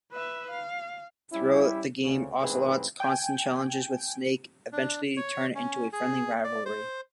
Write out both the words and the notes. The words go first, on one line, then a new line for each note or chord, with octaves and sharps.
Throughout the game, Ocelot's constant challenges with Snake eventually turn into a friendly rivalry.
B4 E5
F5
G3 C#4 E4
D2 C#3
A1 G#2 C4 G#4 B4
G5 G#5
D4
C#5
C#4
G#4
D5
C5